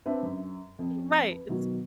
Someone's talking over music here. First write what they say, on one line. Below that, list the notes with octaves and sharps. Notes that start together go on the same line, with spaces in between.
Right, it's
C4 D4 B4 E5
F#2
F2
B4
B2 D#3 F#3